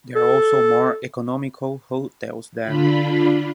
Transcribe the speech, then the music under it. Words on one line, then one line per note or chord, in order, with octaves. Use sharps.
There are also more economical hotels there.
A4
D3 D4 F4 B5